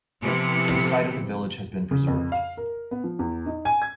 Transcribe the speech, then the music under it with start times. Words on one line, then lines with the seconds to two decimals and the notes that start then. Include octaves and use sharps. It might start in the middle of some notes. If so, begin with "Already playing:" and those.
The site of the village has been preserved.
0.21 C3 E3 F3 B3 C4 A4
1.91 C#3
2.07 F2
2.32 F5
2.57 A#4
2.91 B3
3.04 F3
3.19 E2
3.46 D#4
3.65 G#5
3.82 G#6